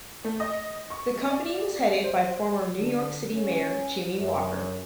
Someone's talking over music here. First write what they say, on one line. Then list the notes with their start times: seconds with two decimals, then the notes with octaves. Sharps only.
The company was headed by former New York City mayor Jimmy Walker.
0.24 A3
0.40 D#5
0.90 C#6
1.30 D5
2.04 C5
2.78 D3
3.33 C#4
4.19 F#2